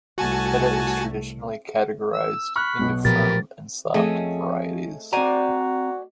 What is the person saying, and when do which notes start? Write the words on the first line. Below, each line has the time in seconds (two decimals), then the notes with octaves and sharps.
Feta is traditionally categorized into "firm" and "soft" varieties.
0.18 C2 A3 F#4 G#5 A5
2.13 E6
2.56 B5 C#6 F6 F#6
2.79 B1 B2
3.05 A#2 F3 G4 A#4 B4 A6
3.94 F2 A3 C#4 G#4 D#5
5.13 C4 F#4 C5 D5 G#5 A#5